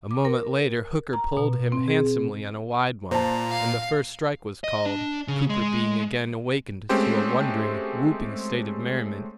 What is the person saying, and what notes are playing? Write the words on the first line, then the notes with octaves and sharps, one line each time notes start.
A moment later Hooker pulled him handsomely on a wide one, and the first strike was called, Cooper being again awakened to a wondering, whooping state of merriment.
D6
A#4
A#5
B2
C4
G#4
A#2 C5 A5 A#5
F5
D#5
D4
C#3
G#3
G#3 A3 C4 C#4 G4 C5